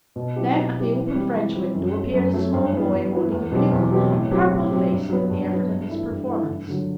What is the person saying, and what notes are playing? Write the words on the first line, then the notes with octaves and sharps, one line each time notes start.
Then at the open French window appeared a small boy holding a bugle, purple-faced with the effort of his performance.
B2
F#3 C4 E4 G4
B2
F#3 C4 E4 G4
E3
G3 C4 G4
E3
G3 C4 G4
F#2
F#3 A3
F#2
F#3 A3
G2
E3 B3
G2
E3 B3
E2
B2 F#3 C4 G4
E2
B2 F#3 C4 G4
A2
F#3 C4 G4
A2
F#3 C4 G4
G2
F#3 B3
G2
F#3 B3
G2
E3 A3 E4
G2
E3 A3 E4
G2
D3 F#3